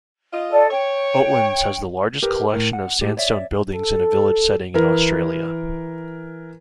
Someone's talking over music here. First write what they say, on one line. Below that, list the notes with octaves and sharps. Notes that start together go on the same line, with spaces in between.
Oatlands has the largest collection of sandstone buildings in a village setting in Australia.
F4 D#5
A4 D5
C#5 G5
G4 A#4 B4
A2 A#4
F#5
A2 G4
C#5 D5 E5
A4
E3 A#4